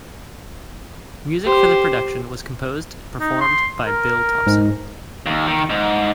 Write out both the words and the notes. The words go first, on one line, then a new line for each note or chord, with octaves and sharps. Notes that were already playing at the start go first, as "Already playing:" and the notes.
Music for the production was composed and performed by Bill Thompson.
G4 C5
D#4
C6
A#4
G#2
D#2
D#3
G#2